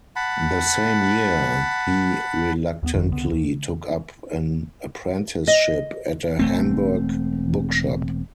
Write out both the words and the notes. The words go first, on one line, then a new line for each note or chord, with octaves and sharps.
The same year he reluctantly took up an apprenticeship at a Hamburg bookshop.
F#5 A5 B5
D#2 A#3 B3
G1 F2 D#3
C#2 D3 B3
D#2
D#5
E1 A3 C4